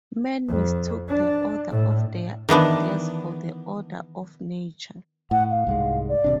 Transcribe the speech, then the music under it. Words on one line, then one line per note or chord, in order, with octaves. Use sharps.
Men mistook the order of their ideas for the order of nature.
F2
D4
A2
D#3 E3 B3 D4
A2 F#5
F5
C2 G#2 G#3
D5
D#1 C3 D4